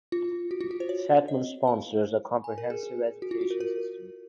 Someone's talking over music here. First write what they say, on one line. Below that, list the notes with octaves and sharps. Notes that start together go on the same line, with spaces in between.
Satmar sponsors a comprehensive education system.
F4
F#4
F4
F#4
C5
C#5
D#5
F5
G#5
A#4
G#4
G#4
F#4
F4
F#4
A#4
A#4